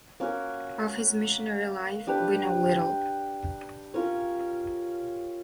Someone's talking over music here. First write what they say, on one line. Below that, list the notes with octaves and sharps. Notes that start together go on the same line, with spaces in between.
Of his missionary life we know little.
A#3 C#4 F#4
D4 G4 B4
C#4 F4 A#4 C#5